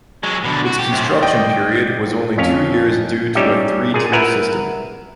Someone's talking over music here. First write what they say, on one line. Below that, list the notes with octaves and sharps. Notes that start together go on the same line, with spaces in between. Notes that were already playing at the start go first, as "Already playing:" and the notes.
Its construction period was only two years due to a three-tier system.
F#3 G#3
B2 D3
F#4
G4
F#2 C4
D5 D#5 G5
F2 C#4 F5
G3 C#4 D#4 G4 E5
A#2 G#4
A#4 B4 E5 F#5 G#5